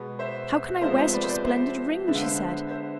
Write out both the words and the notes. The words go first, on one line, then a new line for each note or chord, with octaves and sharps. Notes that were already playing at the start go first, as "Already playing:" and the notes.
"How can I wear such a splendid ring?" she said.
Already playing: B2 G#3 B3
C5 E5
F5
C3 F3 G#3 B3 C5 E5
C5 E5
B4 D5
C5
B4 D5
C5 E5
D3 G#3 B3 E5
F5
C5 E5
C5 E5